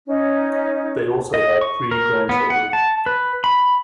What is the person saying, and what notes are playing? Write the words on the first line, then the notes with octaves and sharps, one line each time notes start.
They also had three grandchildren.
C#4 D#4
D#5
C#6
A#4
B3
F#5
A5
B4
B5